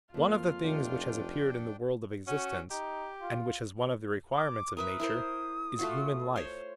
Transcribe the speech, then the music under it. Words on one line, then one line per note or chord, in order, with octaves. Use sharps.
One of the things which has appeared in the world of existence, and which is one of the requirements of Nature, is human life.
F2 A#3 F4
F1 D4 G5
C#4 F#4
D#4 G4
F4
D6
A#4 B4 E5 D#6
E4 A#4 C5
A3 F4 F#4
C5 C#5